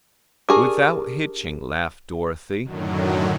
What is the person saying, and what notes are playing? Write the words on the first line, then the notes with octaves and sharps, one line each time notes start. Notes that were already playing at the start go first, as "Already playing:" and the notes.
"Without hitching," laughed Dorothy.
D4 G4 G#4 A#4 D6
F#2 A2 D3 D#3 F#3